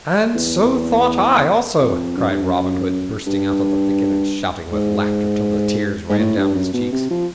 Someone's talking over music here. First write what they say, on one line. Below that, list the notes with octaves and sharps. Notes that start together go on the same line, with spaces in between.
"And so thought I, also," cried Robin Hood, bursting out of the thicket and shouting with laughter till the tears ran down his cheeks.
E2
F2
F#2
G2
F#2
G2
G#2
G#2
A2
G2
F#2
B2
C3
F3